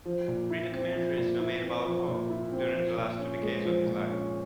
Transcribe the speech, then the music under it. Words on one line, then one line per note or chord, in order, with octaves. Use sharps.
Three documentaries were made about Howe during the last two decades of his life.
F3
A#2
E4
C4
F3
A#2
E4
C4
F3
A#2
E4
C4
F3
A#2
C#4
G#3
F3
A#2
C#4